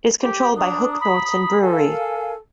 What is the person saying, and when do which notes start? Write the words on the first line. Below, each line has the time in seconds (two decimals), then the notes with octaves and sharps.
It is controlled by the Hook Norton Brewery.
0.23 G4
0.56 D4 A#5 D#6
1.01 B5
1.61 A4 A#4 F5 G#5